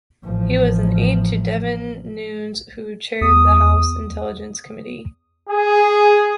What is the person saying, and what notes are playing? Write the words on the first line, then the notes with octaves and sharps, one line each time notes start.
He was an aide to Devin Nunes who chaired the House Intelligence Committee.
A1 F3
E2 D#6
G#4